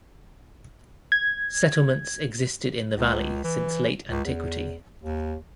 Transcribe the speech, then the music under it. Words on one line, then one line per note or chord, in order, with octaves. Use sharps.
Settlements existed in the valley since Late Antiquity.
G#6
C#2
E3
C#2
E2
D#2